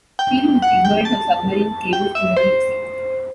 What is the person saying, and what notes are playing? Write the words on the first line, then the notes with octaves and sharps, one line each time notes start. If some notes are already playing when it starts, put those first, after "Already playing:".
Field was ignorant of submarine cables and the deep sea.
G5
F#5
G5
A5
G5
E5
C5